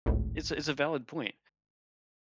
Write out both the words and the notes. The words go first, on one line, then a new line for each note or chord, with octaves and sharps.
It's a it's a valid point.
G#1 C#2 A2